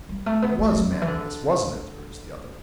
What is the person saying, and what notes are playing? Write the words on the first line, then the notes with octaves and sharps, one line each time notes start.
"It was Manlius, wasn't it?" urged the other.
G3
A3
B3
A3
E3
F#3
D3
E3
D3